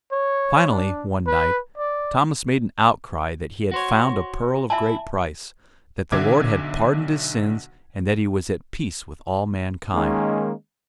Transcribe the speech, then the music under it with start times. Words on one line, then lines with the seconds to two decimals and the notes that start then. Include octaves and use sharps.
Finally, one night, Thomas made an outcry that he had found a pearl of great price, that the Lord had pardoned his sins, and that he was at peace with all mankind.
0.12 C#5
0.69 D4
1.27 B4
1.77 D5
3.71 F#4 C5 C#5
4.70 E4 E5 G#5 A5
6.12 B1 D3 E5 D6 G#6
9.93 D#3 G#3 A#3 C#4 D#4